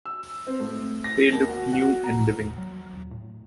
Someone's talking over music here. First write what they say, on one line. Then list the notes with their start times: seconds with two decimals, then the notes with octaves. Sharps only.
They looked new and living.
0.06 E6
0.47 C4
0.60 A2
1.04 A#6
1.32 D#2
1.48 F#4
1.73 F#4
2.04 A#5
2.39 D#2
2.58 F#3
2.93 D#1
3.11 A2